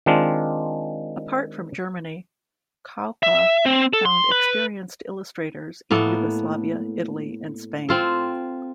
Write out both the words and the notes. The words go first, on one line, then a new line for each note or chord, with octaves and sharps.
Apart from Germany, Kauka found experienced illustrators in Yugoslavia, Italy and Spain.
D#3 G#3 C4 D4 F4
E5
C4
A4
C6
B4
A2 A#3 B3 A4
C4 F4 A4